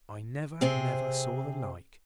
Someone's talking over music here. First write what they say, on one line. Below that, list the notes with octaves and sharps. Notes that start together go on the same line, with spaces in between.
'I never, never saw the like.
C3 C4 G#4